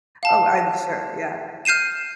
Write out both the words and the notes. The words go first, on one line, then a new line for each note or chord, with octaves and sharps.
Oh, I'm sure, yeah.
F5 A5
F6 G6 C7 D#7 E7